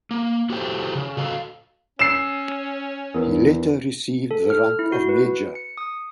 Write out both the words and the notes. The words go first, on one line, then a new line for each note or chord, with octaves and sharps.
He later received the rank of major.
A#3
E4 F#4 G4 A4 C5 G5
C#3
F#4 A4 D#5 F5
C#4 C#5 E6 C7 E7
E2 A#4 B4
A4
F6
E4
F#4
B4
C#7
D#6